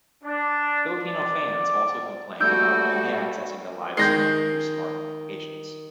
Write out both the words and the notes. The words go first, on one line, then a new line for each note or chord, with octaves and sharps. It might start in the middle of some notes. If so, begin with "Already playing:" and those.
Filipino fans also complained about only accessing the live stream thru Smart Communications.
D4
D5
G3 A3 A#3 F#4 E6 G6 D7
D#3 G#3 G6 A#6 C7